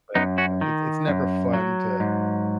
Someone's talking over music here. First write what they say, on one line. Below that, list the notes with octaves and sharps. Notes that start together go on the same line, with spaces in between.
But, no, it's it's never fun to
F#2 B3 D#4
C#4 F#4
D#3
F#2
F#3
G#2